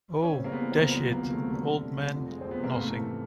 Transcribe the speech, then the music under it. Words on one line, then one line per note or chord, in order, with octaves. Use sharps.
Oh, dash it, old man, nothing?
C#4
C#3 C4
G3 A#3
B3
E3
C4
C#2
F#3 B3
C3
A#3
D2
A3
C3
D3
D3
D3
D3
F2
G#3
F2 C4
B3
C3 A#3
G#2 A3
E3